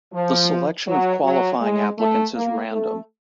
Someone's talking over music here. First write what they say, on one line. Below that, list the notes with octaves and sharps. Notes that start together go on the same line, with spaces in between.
The selection of qualifying applicants is random.
F3
F#3
F#3
G#3
A3
A#3
A3